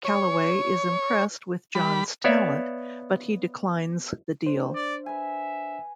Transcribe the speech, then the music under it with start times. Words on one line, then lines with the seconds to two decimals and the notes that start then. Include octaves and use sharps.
Calloway is impressed with John's talent, but he declines the deal.
0.05 C#5
1.75 G3 B5
2.24 B3 C#5 D5 E5 F5
4.47 D4 C5
4.75 D5
5.06 B4 E5 G#5